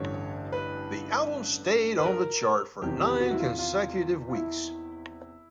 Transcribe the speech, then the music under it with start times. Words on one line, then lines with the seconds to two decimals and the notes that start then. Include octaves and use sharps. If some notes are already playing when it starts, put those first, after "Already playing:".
The album stayed on the chart for nine consecutive weeks.
Already playing: A1 G2 D3 C#5
0.52 B4
1.98 B4
2.05 A#4
2.82 E2 C3 D#3 G4
3.01 G4
3.20 F#4
3.31 E4
3.39 F4
3.59 F4
4.29 F4
4.35 E4